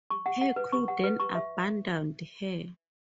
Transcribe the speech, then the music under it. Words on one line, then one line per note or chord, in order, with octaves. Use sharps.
Her crew then abandoned her.
C#6
F#5
F#5
B4
C#6
F#5
B4
C#6
E5